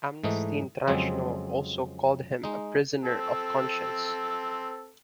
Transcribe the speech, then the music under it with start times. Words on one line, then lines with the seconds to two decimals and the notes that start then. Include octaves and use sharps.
Amnesty International also called him a prisoner of conscience.
0.24 G#2 E3 A3 D#4
0.88 F2 C#3 F#3 G#3 C4
2.44 G#3 D#4
3.05 C4 A4